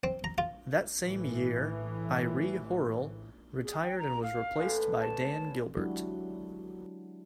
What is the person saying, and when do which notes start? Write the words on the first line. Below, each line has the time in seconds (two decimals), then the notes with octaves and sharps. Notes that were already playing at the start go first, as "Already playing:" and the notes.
That same year, Irie Horrall retired and was replaced by Dan Gilbert.
0.04 C4
0.24 A#5
0.38 F4
1.01 A2 E3
3.63 G#4
3.82 G5
3.98 A#5
4.23 F5
4.56 A2 D3 E3
5.01 C#5 A5
5.77 F#3 G#3 D4 E4 F#4 G4